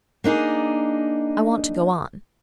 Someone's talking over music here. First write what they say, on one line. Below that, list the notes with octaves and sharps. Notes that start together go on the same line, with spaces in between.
"I want to go on."
A#3 D4 D#4 G#4